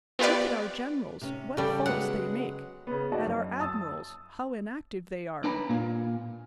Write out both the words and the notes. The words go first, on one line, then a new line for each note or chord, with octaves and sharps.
Look at our generals, what faults they make; at our admirals, how inactive they are.
B3 F4 G4 B4 D5
C3 C#4
C#3 G3 G4 A4 D5
F#3 G#3 B3 F#5
C#3 B3
D#4 F#4 D5 D#5 A5
F#2
A5 D#6 E6 A6
D4 B4 G#5 A#5 B5
A#2 A#3 F4 G#5